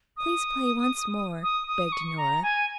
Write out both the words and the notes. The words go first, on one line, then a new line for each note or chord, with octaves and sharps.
"Please play once more," begged Nora.
D#6
D#6
D#6
C#6
A#5
G#5